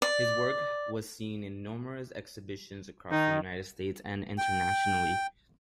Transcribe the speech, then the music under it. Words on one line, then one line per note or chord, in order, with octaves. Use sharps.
His work was seen in numerous exhibitions across the United States and internationally.
D5
D#3 D#4
G5